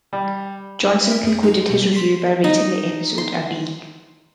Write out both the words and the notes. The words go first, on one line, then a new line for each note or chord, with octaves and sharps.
Johnson concluded his review by rating the episode a "B".
G3
A#4 E5
F#2 G#4
G#3 D#4
B2
C6 B6 C7
D#4
C6